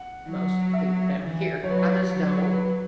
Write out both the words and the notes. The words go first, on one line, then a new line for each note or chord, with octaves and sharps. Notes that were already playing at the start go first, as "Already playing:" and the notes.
most of the people down here, I just don't.
Already playing: F#5
F#3
E5
E3
F#3 C#5
B4
C#5
F#3
B4